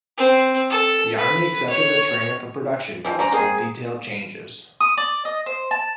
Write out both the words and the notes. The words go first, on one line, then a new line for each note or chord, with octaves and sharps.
The Army accepted the trainer for production but with some detail changes.
C4
A4
B4
C#5
E3 F3 C4
C#4 D4 C5 A#5
A#3 C4 G#4
D#6
D5
D#5
C5
A5